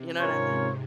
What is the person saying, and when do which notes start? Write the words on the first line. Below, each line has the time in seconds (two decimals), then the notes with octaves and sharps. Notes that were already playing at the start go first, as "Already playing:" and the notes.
You know what I me
Already playing: C3
0.20 G#2 C#4 F4 A#4 C#5